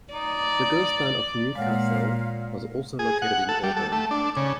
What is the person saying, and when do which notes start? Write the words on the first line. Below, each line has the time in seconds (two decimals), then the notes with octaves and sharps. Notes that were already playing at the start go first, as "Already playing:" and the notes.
The ghost town of New Cassel was also located in Auburn.
0.14 D#4 D5
1.55 A#2 G#3 C#5 F5 F#5
2.99 G#4
3.22 F#5
3.49 A4
3.63 G3
3.77 A4
3.92 A3
4.11 D4
4.37 C#3